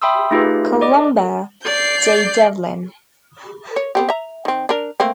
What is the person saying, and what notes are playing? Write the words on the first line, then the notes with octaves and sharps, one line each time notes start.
Columba J. Devlin.
E5 G5 B5 C6 D#6 E6
A3 D#4 F4 G4 G#4 B4
D5 D#5 D6
D5 G6 C7
C#5
B3 C4 G4
E5 A#5
D#3 C4
D4 A#4
A3 A#3 C4